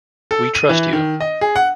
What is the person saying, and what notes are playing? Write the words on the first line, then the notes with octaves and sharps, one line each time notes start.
We trust you.
A4
D#7
E3
D#3
D#5
G#4
F#5